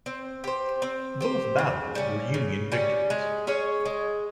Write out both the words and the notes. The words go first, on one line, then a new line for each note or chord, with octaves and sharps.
Both battles were Union victories.
C4
G4 C5
C4
G4 C5
C#3
G3 C#4
C#3
G3 C#4
G#3
C#4 G#4 C#5
G#3